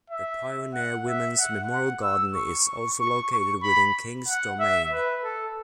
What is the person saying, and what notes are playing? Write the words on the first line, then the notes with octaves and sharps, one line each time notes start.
The Pioneer Women's Memorial Garden is also located within Kings Domain.
E5
F#5
E5
F#5
F#5
E6
C#6
C#6
C#6
C#6
B5
F#5
E5
B4
A4